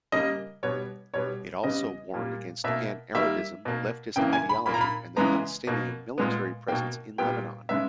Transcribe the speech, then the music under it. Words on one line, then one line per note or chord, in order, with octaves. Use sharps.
It also warned against pan-Arabism, leftist ideology and the Palestinian military presence in Lebanon.
C#3 G3 A#3 D#5
B2 G3 B3 C#5
B2 G3 B3 C#5
C#3 G3 B3 D#5
A#2 G3 A#3
B2 A#3 E5
D#3 G3 A#3 E5
B2 A#3
C#3 E3 A#3 G5
G#5
B5
A#2 A#3 B5
A#5
B5
C#3 E3 G#3 B3 A#5
B2 A#3
A#2 G#3 B3
B2 A#3 G5
A#2 G3 B3 G5
C#3 G#3 B3 E5